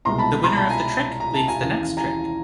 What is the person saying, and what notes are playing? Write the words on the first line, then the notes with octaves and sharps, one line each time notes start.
The winner of the trick leads the next trick.
C2 B2 G#3 A#5 C6
A5 B5
A#5 C6
A5 B5
G#5 A#5
A#5
A5
G#5 A#5
D#2 C#3 E3
G#5 A#5